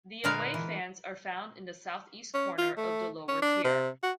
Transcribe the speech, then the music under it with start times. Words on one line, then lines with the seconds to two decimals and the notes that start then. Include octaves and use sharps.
The away fans are found in the south-east corner of the lower tier.
0.24 A#2 D3 G#3 A#4 B4 F5
0.54 E3
2.35 C#4
2.58 F4
2.77 A3
3.28 C#4
3.42 D4
3.64 C3
4.03 F#4